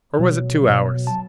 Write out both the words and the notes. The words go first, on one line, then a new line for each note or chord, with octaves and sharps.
Or was it two hours?
B2 F#3
B2 F#3
A5